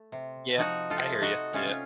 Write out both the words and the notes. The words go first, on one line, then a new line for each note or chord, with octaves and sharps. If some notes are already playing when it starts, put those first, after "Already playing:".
Yeah, I hear you, yeah.
Already playing: A3
C3
F3 D#4 F#4
F4 A4
A3
D#4 F#4
C3 C#4 F4
F4